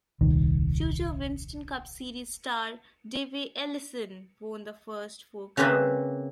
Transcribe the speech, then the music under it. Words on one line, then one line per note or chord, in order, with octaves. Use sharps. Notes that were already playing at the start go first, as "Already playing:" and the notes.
Future Winston Cup Series star Davey Allison won the first Four Crown.
D#1 C2 D#3
C#3 A#3 C4 C#4 B4 E5